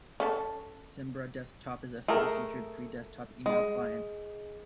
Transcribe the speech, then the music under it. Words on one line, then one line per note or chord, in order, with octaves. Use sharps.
Zimbra Desktop is a full-featured free desktop email client.
C#4 A4 A5
A3 G#4 A#4
G#3